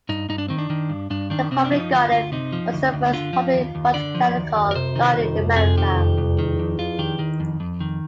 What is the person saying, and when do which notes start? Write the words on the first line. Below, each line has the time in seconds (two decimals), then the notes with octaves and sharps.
The Public Garden was the first public botanical garden in America.
0.09 G2 D#4
0.29 G2 D#4
0.38 D4
0.48 D#3 C4
0.58 D4
0.70 D#3
0.89 G2
1.10 G2 D4
1.30 D#3 D4
1.51 C3 C4
1.65 D4
1.71 F3 D#4
1.92 D2 F4
2.12 D2 F4
2.32 C3 D#4
2.52 F3
2.73 D2
2.93 D2
3.14 D3 F4
3.33 F3
3.53 D#2
3.75 D#2
3.94 D3 D5
4.15 F3
4.35 D#2
4.56 D#2
4.71 A#4
4.75 C3 C5
4.95 D#3
5.17 C2
5.36 C2
5.56 C3 G#4
5.78 D#3 G4
5.97 C2
6.17 C2
6.39 D#3
6.59 F2
6.79 F2 F4
6.99 D#3 G4
7.19 D#3
7.40 F2
7.60 F2
7.80 D#3